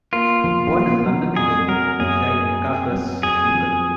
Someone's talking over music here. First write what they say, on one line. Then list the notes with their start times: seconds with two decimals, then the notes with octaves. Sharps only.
Born in London, England, he died in Carcross, Yukon.
0.13 A#3 F4
0.44 F3
0.75 A#3
1.06 F#3
1.36 F2 G#4
1.68 F#3 A#4
1.99 F#2 G#4
2.30 A#3
2.61 C4
2.92 F#3
3.23 F2 G#4
3.55 F3